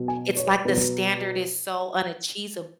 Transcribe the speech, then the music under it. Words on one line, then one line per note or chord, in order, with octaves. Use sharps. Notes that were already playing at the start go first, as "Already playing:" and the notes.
it's, like, the standard is so unachees
Already playing: B2 F#3
G#5
C#5
B2 F#3 B4